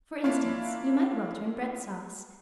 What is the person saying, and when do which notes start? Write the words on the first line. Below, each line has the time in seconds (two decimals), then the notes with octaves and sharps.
For instance, you might welter in bread-sauce.
0.24 A#3 D4 E4 F4 C#5 F5